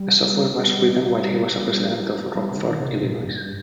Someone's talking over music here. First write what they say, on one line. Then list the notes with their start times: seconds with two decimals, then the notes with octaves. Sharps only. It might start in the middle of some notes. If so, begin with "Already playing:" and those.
The software was written while he was a resident of Rockford, Illinois.
Already playing: G3
2.35 G3
2.51 C3
2.58 D#3
2.80 C3
2.93 C3
3.03 A#2
3.25 G2